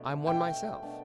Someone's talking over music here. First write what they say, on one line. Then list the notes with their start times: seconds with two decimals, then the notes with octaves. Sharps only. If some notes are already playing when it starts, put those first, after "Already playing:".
"I'm one myself."
Already playing: B2 A3 D4
0.26 B2 A3 D4 G5
0.82 B2 A3 D4